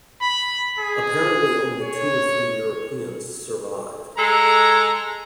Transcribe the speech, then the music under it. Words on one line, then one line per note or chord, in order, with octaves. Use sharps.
Apparently only two or three Europeans survived.
B5
G#4
C#5
G#3 A4 A#5